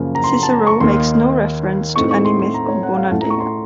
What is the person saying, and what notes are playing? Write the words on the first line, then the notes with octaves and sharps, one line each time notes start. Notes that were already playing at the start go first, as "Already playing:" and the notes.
Cicero makes no reference to any myth of Bona Dea.
Already playing: F#2 C#3 F3 A#3
A#5
C6
A#5
A5
A#5
C#6
D#2 D#3 A#3 D#4 C6
A2 A3 C4 D#4 C#6
C#6
C6
C6
A#5
C#5
F#5
F5
A2 A3 C#4 A5
A#5
C#6
C6